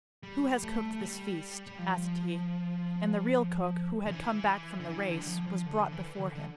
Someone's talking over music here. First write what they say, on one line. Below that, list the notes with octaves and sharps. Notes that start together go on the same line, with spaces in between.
'Who has cooked this feast?' asked he, and the real cook, who had come back from the race, was brought before him.
G3
A3
A3
G3
G3
F3
D3
E3
D3
E3
D3
G3
F3
F3
D3
E3
D3
D3